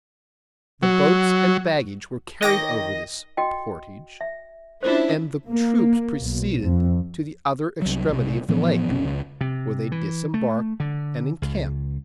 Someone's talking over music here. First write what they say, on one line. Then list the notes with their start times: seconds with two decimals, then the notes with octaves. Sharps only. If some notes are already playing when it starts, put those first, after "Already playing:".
The boats and baggage were carried over this "portage," and the troops proceeded to the other extremity of the lake, where they disembarked and encamped.
0.83 F#3
2.42 D#3 C#5 D#5 G5 D6 A#6
3.37 F#4 D#5 G5
4.21 E5
4.83 C#4 D4 E4 F4 C5
5.48 A#3
6.20 B1
6.61 F2
7.82 C2 F#3
8.09 B1 C3
8.48 A2 E3 F3 B3
8.88 F#1 B1 C3 C#4
9.05 C#2
9.41 C3
9.92 E3
10.34 A3
10.80 D3
11.42 C#2